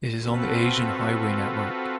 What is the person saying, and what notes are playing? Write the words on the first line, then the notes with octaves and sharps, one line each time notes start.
It is on the Asian highway network.
C4 F4 F#4 A4 B4